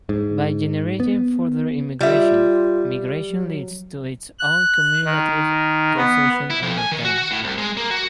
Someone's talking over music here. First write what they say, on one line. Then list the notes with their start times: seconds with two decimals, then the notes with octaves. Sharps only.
By generating further immigration, migration leads to its own cumulative causation over time.
0.09 G#2
1.00 B3
2.01 G3 F4 E5
3.29 F#3
4.39 F#6
5.05 D#3
5.97 B3
6.50 E4
6.62 F2
6.78 G#5
6.92 D#3
7.05 F#4
7.18 F#4
7.31 A2
7.43 C2
7.58 G#3
7.77 A#3
7.91 F#4